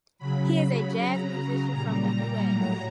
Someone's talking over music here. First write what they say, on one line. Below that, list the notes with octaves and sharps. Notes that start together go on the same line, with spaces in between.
He is a jazz musician from the US.
C#3 F#3 B5
C#3 F#3 A#5
A#2 G3 A#5
A2 F#3